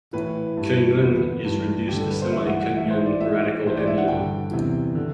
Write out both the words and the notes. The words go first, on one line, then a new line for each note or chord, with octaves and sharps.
Quinone is reduced to a semiquinone radical anion.
A2 E3 B4
G2 E3
E2 D3 B4
G2 E3
G2 D3 G4
A4
B4
C5
G2 E3 E5
F#5
F#5
A2 E3 E5
C5
D5
A2 E3 E5
A2 E3 C5
D5
E5
F#5
G2 D3 G5
E2 C3 E3
D3